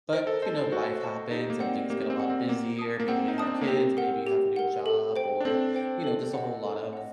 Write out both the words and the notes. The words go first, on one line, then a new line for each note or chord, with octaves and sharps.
But, you know, life happens and things get a lot busier, maybe they have kids, and maybe you have a new job, or, you know, just a whole lot of
A#4 C5
A4
C5 D#5 A5
A4
F#4 C5
D#5 A5
D#4 G4
A#3
C4 D5 F#5
A#3 G4
A#3
C4
D5 F#5
C4
A#3 F#5
A5 D#6
A#3
C4 F#5
D#4
D4 A5 D#6
C4
A#3
C4 G4
A#4 F#5
G4
A#4 F#5
A4
C5 G5
D4
C4 A4
C5 G5
A4
D#5 F#5
A4
D#5 F#5